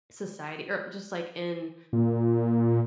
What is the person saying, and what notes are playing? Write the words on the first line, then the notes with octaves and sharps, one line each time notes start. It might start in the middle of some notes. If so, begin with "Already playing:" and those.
society or just, like, in
A#2